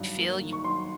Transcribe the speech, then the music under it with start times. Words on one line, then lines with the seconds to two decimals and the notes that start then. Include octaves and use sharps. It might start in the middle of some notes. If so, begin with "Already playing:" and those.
feel you
Already playing: G2 D#3 F#3
0.17 A#3
0.41 D#3
0.53 C#6
0.64 F#3 C6